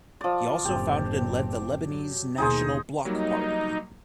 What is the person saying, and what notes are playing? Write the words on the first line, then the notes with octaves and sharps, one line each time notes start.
He also founded and led the Lebanese National Bloc party.
F3 D5
F#1 A2 C4 G4
F#3
D#2 B2 D#4 G#4 C5
F#3 G3 A#3 D#4